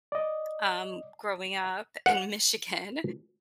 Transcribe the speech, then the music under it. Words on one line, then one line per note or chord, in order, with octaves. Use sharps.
um, growing up in Michigan
D5 D#5
F#5